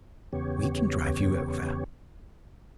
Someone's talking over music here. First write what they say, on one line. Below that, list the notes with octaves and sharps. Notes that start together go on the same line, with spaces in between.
We can drive you over.
E2 C#3 B3 G4 C#5